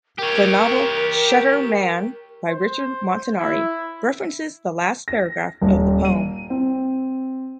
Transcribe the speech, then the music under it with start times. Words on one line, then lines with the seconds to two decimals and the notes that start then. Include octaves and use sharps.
The novel "Shutter Man" by Richard Montanari references the last paragraph of the poem.
0.19 G4 A#4 C#5
2.49 C5
3.39 E4
5.08 A#6
5.61 D#1
6.05 D#7
6.50 C4